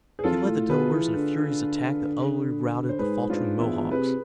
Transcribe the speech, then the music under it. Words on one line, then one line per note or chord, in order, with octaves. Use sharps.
He led the Delawares in a furious attack that utterly routed the faltering Mohawks.
G#4
F2 F4 A4
A2
B2 G#4 B4
E3
D3
C5
G#2 G#4 B4
G#2 D4 F4
E2 E4 G#4
C3 G#4 B4